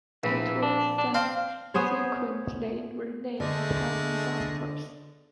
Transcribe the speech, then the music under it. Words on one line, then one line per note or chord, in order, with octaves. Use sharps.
It was subsequently renamed "TimeBusters".
A#1 E3
D4
D4
C4 F5
B3 G#4 C5 C#5
D3 G#3 A3